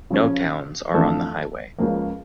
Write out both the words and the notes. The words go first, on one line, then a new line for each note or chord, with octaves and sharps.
No towns are on the highway.
C#3 F3 C#4
F2 E3 A3 D4 A4
C#2 C#3 F3 A#3